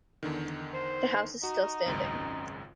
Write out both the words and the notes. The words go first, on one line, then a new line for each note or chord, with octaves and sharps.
The house is still standing.
E2 D3 D#3
C5
D#4 F#4
G#1 C#2 F#2